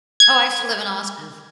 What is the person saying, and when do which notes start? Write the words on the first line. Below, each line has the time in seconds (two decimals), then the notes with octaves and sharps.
Oh, I used to live in Austin.
0.20 G#6